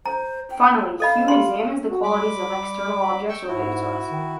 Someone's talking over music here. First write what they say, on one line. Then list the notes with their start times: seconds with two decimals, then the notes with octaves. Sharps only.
Finally, Hume examines the qualities of external objects related to us.
0.06 C5 A#5
0.51 G5
1.00 A4 D#5 F5 B5
1.28 G4 B5 C6
1.90 F#4
2.03 G3 B5 D6
3.29 G5 C#6 E6
3.47 G#2 E4 F#4
4.12 D#3